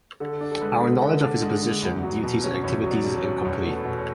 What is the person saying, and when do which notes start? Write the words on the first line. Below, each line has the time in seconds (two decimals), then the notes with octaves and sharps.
Our knowledge of his position, duties, and activities is incomplete.
0.20 D3 A4
0.41 D4
0.51 A4
0.61 G#3 B4
0.81 D3
1.02 D3
1.22 D4
1.42 G#3
1.62 D3
1.82 E2
2.03 F#3
2.24 B2
2.44 C#4
2.64 E2 C#5
2.83 F#3
2.91 D5
3.04 B2
3.18 C#5
3.25 C#4
3.45 E2 C#5
3.66 A3
3.71 B4
3.85 B2
3.99 C#5